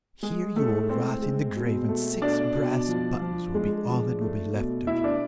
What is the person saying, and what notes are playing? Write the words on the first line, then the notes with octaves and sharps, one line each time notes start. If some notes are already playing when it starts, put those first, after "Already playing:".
"Here you will rot in the grave and six brass buttons will be all that will be left of you."
G#3 G#4
A2 A3 A4
G#3 C4 C5
G#3
B2
A3
B2 D4 D5
B2
F3
F3
G#3
F3
A3
B2
A3 E4 E5
D4 D5